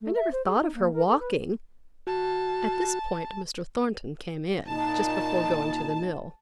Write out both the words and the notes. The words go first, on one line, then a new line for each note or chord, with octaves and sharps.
I never thought of her walking.' At this point, Mr. Thornton came in, just before going to the mill.
A3
E5
C5
G#4
D#4
A#3
A#4
A4
B4
F#4 A5
A#2 D#4 A5